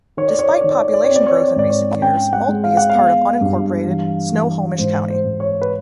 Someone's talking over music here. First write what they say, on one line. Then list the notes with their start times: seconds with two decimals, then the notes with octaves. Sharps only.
Despite population growth in recent years, Maltby is part of unincorporated Snohomish County.
0.17 D#3 C#5
0.28 D5
0.39 C#5
0.49 D5
0.61 D#3 C#5
0.71 D5
0.83 C#5
0.94 D5
1.04 C#5
1.09 C4
1.16 D5
1.27 C#5
1.37 D5
1.48 C#5
1.56 G#2 D5
1.70 C#5
2.01 C#4 G5
2.33 F#5
2.48 G#3
2.64 F5
2.77 F#5
2.89 B3 F5
3.41 G2
3.87 E3
4.33 E3
4.78 G#2 C5
5.10 C5
5.25 G#2
5.40 C#5
5.62 B4